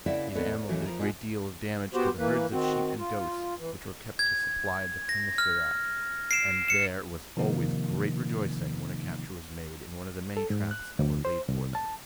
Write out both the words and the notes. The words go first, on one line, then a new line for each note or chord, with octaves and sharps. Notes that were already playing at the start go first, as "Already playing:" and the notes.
These animals did a great deal of damage to the herds of sheep and goats which were kept to supply the commissariat, and there was always great rejoicing when a capture was made in one of the many traps that were laid for them.
C#3 A#3 E4 D5 E5 F#5
D#2 B3 A4 C#5
C#5
D#2 A2 E3 F#3 C#4
F3 A#4
B2 G#3 B3 F4 F#5
B3 F#4 G4 C5
E3 A#3 B4
D#3 C4 F#4
F4
E3
G#6
A#6
F6
C7 D7 E7
C#7 E7
C3 D#3 F3 A#3 D#4
A4
G#2
F#6
D2
C5
C2
A5